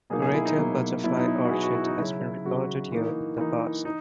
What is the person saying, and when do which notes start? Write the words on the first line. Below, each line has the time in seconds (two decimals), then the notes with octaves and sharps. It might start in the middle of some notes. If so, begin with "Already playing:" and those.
Greater Butterfly Orchid has been recorded here in the past.
0.10 B2 F#3 A#3 D#4 G#4
0.22 G#4
0.34 E4
0.46 D#4
0.57 B2 F#3 A#3 D#4
1.04 B2 F#3 B3 E4
1.17 D#4
1.27 E4
1.45 F#4
1.51 B2 F#3 B3 G#4
1.63 F#4
1.75 E4
1.86 D#4
1.98 C#3 F#3 C#4 E4
2.45 C#3 F#3 C#4 F#4
2.92 E3 A#3 D#4
3.38 E3 A#3 D#4
3.85 D#4